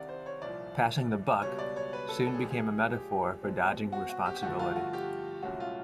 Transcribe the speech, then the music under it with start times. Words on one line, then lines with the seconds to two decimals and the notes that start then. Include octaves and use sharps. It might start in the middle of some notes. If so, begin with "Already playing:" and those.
"Passing the buck" soon became a metaphor for dodging responsibility.
Already playing: C2 C3 D#3 G3 D5 F5 F#5
0.09 C5
0.26 C#5
0.42 C2 A#2 F3 D5
1.42 C#2 B2 G3 C#5
1.59 D5
1.76 C#5
1.93 B4
2.09 A4
2.26 A4
2.34 G#4
2.42 A#2 F3 G#3 G4
2.51 G#4
2.92 G4
3.43 B2 G#3 C4
3.92 F#4
4.10 F#4
4.26 G4
4.36 G4
4.42 G2 D3 F3 A3 F#4
4.59 F4
4.76 F#4
4.93 G4
5.43 C2 A#2 F#3 A3 C#4 F#4
5.60 F4